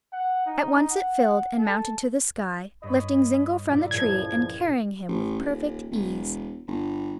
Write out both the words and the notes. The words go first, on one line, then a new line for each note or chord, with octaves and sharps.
At once it filled and mounted to the sky, lifting Zingle from the tree and carrying him with perfect ease.
F#5
D#4
F#5
A4
G2 C#5 D#5 B5
A#2 E4 D5
C#2 A#2 F3 G#6
A1
D#1
E1
G1